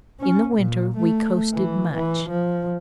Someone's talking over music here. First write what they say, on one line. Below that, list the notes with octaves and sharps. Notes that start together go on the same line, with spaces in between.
In the winter we coasted much.
C#4
A#2
A3
E3
E3
F3